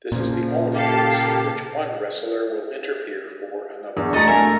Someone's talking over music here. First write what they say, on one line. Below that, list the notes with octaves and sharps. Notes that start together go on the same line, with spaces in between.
This is the only case in which one wrestler will interfere for another.
A#2 C#3 F3
A#3 G4 A4 F5 A5 C7
E2 D4 F#5 C#6
A3 F#4 A4 D#5 A#5
A3 A#4 E5 G#5